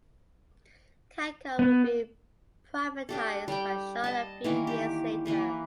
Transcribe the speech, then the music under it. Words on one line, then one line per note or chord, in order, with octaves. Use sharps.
Cancom would be privatized by Shaw a few years later.
B3
D4 G4 A4
G3 G5
D#5 A5
D#3 E3 A#3
G4
E3 A#3 B4